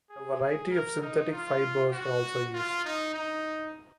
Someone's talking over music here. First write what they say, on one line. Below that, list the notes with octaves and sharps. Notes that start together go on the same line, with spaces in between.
A variety of synthetic fibres are also used.
G#4
G#4
A#4
D#4
F4
F#4
F4
D#4
D#4